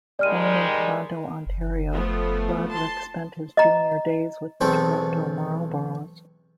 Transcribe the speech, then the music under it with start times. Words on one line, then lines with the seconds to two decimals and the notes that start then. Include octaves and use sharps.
Born in Toronto, Ontario, Broderick spent his junior days with the Toronto Marlboros.
0.19 D#3 G3 G#3 D5 F6 D#7
1.47 F#1
1.92 F3 A3 B3
2.71 A5 C6
3.57 D#5 A#5
4.61 B1 E2 A3 C4 A4